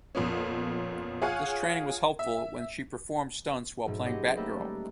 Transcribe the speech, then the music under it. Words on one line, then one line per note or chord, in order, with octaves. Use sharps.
This training was helpful when she performed stunts while playing Batgirl.
F2 A#2 B3 C#4
F4 G#4 C#5 F5 F#5 G#5
E5
G#2 B2 F#3 A3
C4 C#4 G4 D#5 F#5
A3 A#3 G4 A4 B4 D#5
G3